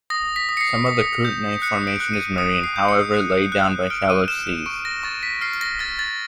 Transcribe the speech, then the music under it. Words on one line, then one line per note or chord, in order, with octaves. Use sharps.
Some of the Kootenai Formation is marine, however, laid down by shallow seas.
D#6 A#6
B6
D#6
C#7
C7
D#6
G6
F#6 C#7
D7
F#6
D#7
D#6 C#7
C7
G6
C#7
F#6
F#6
F6 D7
D#7
F6 E7
E7
C#6 D7
A#6
C#6 A6
B6
F6 C7
A#6
F6 A6
A6